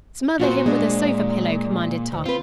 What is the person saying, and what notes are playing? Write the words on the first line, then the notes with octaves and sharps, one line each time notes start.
"Smother him with a sofa pillow!" commanded Tom.
A#2 F4 F#4 C5
G#3 D4
D2
C4 F4 B4